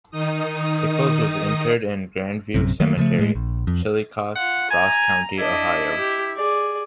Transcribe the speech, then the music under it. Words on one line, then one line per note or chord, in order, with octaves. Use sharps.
Sickles was interred in Grandview Cemetery, Chillicothe, Ross County, Ohio.
D#3 D#4 D#6
A#1 F#2 C3
D#3 F#3 A3 A#3
C#3 F3 G#3 A3
A2 G#3
A#1
F2
F4 F#5
G#5 A#5
D4 E4 D#5
G4
G#4 D5